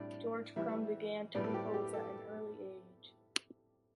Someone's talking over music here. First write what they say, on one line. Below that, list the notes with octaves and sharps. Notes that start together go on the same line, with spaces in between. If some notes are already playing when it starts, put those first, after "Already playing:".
George Crumb began to compose at an early age.
Already playing: A2 G3 D4 D5
E3 G3 E4 E5
A2 G3 B3 D5
A4
G4
G4
A4